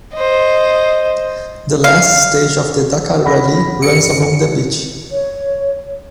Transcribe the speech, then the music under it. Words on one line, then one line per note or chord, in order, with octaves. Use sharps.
The last stage of the Dakar Rally runs along the beach.
C5 D#5
F5
F#5 B5 A#6
G4 C#7 D7
C#5